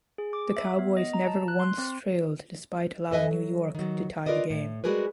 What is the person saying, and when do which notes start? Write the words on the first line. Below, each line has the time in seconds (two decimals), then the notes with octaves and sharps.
The Cowboys never once trailed despite allowing New York to tie the game.
0.18 G#4
0.33 D6
0.57 E5
0.79 B3
0.97 D#5
1.13 A#5
1.27 A5
1.48 F#6
1.60 C6
1.78 C4
3.11 F2 A4 B4 D#5 E5 G#5
3.31 F#3
3.75 D#3 F#3
4.26 F4 A#4 B4 D5 D#5
4.50 A2
4.84 G3 G#3 F#4 G#4 A#4 B4